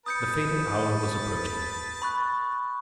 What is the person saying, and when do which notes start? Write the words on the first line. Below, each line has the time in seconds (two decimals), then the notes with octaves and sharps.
The fatal hour was approaching.
0.06 B4 A5 D#6 G6 C#7
2.02 B5 C#6 F#6